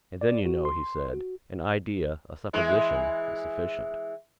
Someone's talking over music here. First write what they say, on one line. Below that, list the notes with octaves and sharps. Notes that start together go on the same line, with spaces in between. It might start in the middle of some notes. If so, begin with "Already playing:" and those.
"And then, you know," he said, "an idea, a supposition, is sufficient."
D5
F#4
C6
F#4
E3 G#3 E4